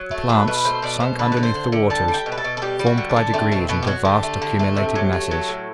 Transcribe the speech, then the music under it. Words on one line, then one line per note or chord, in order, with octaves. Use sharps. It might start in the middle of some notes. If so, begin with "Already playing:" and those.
The plants, sunk underneath the waters, formed by degrees into vast accumulated masses.
Already playing: F#3
A3
F#3 B4
B2 B4
A3 C5
B2 D5
B2 C5
D3 B4
D3 B4
C5
D3
D3
G3 A5
G3
G5
B2
B4
A4
B2
A4
G3 G4
G3
F#4
D3
D4
D3
A3 C4
B2 C4
B2 B3
G4
F#3 F#4
D3 G4
A3
D3
A3
C3
F#3
A3
F#3
A2